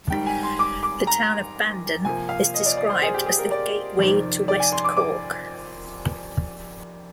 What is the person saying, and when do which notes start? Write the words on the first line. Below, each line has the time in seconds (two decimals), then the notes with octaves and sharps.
The town of Bandon is described as the "Gateway to West Cork".
0.10 G#2 D#3 G3 G5
0.26 G#5
0.43 C6
0.59 D6
0.83 D6
1.07 A#5
2.05 C3 F3 A#3 G#5
2.29 F5
2.54 D#5
2.66 D5
2.77 D5
2.90 C5
3.02 G#4
3.14 G4
3.26 G#4
3.39 A#4
3.51 D5
3.99 F2 C3 D#3
4.48 D5
4.60 G#5
4.72 C6
4.84 D6
4.97 D6